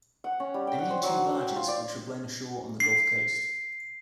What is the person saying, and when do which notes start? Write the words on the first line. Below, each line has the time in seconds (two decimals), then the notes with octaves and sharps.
They made two barges, which were blown ashore on the Gulf Coast.
0.24 F#5
0.40 C#4
0.54 G3
0.67 G5
0.78 F#5
0.90 C5
1.03 F#3
1.18 F#5
1.35 G5
1.56 F4
1.68 D5
2.80 C7